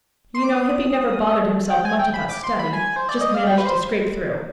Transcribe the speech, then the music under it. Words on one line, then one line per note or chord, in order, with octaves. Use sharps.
You know Hippy never bothered himself much about study, just managed to scrape through.
C6
D6
D#6
G5
G#5
G5
B5
D6
C6
B5
G#5
C5
D5
D#5
F5
G5
B4
C5